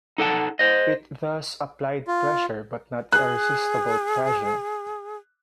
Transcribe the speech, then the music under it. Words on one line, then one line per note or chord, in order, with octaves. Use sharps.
It thus applied pressure but not irresistible pressure.
D#4 A4 F#5 A5
C5 D#5
F4
G#4 F#6